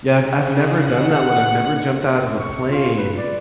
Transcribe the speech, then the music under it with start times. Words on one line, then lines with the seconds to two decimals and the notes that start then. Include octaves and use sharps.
yeah, I've I've never done that one, I've never jumped out of a plane,
0.12 C#3
0.69 F#5
2.39 C#6
2.70 F4
2.98 B4
3.18 D5